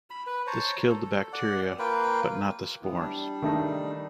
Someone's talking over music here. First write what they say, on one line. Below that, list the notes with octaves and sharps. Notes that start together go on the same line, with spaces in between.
This killed the bacteria, but not the spores.
B5
B4
C5 C#5 A5 A#5
A4
D5 F#5
A#3 F4 B4 G5
F#2 E3 B3
G3 D4
D#3 A3 D#4